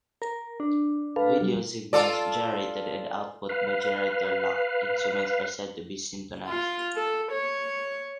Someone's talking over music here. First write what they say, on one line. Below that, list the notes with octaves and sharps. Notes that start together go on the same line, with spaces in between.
Video signals generated and output by generator-locked instruments are said to be syntonized.
A#4
D4
A4 B4 F5
F#3 G3
F4 A4 D5
B4 F5
F4
A4
C#5